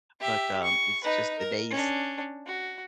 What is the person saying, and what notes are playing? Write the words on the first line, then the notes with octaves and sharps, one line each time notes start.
but, um, it's just the days,
G4 E5
C#6
D#4 B4
A#4
C#4 D4
F#4